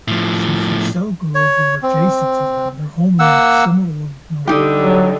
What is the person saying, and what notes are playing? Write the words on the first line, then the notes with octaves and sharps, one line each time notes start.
Since the Selgovae were adjacent to them, their homeland is similarly known.
A2 F3
C#5
C4
A#3 F#5 E6
D3 G3 D#4 G4
F#3